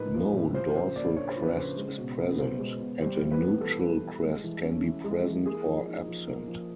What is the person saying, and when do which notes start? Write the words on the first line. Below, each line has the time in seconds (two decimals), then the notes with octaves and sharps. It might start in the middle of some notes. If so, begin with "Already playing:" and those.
No dorsal crest is present; and a nuchal crest can be present or absent.
Already playing: A2 F3 A#3 D#4 B4
0.14 F3
0.34 A2
0.54 F3 C5
0.75 C#3 C5
0.96 A#3 D5
1.17 D4 C#5
1.30 C5
1.37 F3
1.43 B4
1.56 C#3 C5
1.77 G#3
1.98 B2
2.18 B3
2.39 B2 C5
2.59 G#3
2.80 B2
3.00 G3 C5
3.21 E3
3.31 B4
3.41 B3
3.61 E3 A4
3.82 G3
4.02 E3
4.22 G#3
4.44 E3
4.64 C#4
4.84 E3
5.04 G#3
5.25 E3
5.45 A#3 G#4
5.65 F3
5.86 D#4
6.06 F3
6.27 A#3
6.48 F3